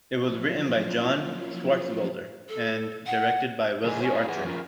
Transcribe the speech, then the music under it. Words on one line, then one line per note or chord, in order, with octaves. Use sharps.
It was written by John Swartzwelder and directed by Wesley Archer.
F3 F#3 A#3 C#4 E4 F4
A4
F#5
F2 C#3 E4 G#4 D#5 G#5
C5 C#5 F5 G#5
E4 D5 F5
G#4 B4 F#5
F3 C#4 F4 A#4